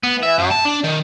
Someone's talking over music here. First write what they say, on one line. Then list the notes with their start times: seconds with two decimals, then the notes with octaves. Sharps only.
You know?
0.03 B3
0.23 E5
0.39 F#2
0.51 A5
0.65 D4
0.84 D#3